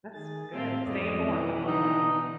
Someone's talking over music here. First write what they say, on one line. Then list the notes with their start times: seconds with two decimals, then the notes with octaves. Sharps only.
That's good, to stay informed, I love that.
0.14 D#3 G#4 A6
0.53 A2 C4 A4 E5 F5
0.86 F2 G#2 G#3 C#4 D5 D#5
1.25 B2 E3
1.67 D3 B3 D4 D#4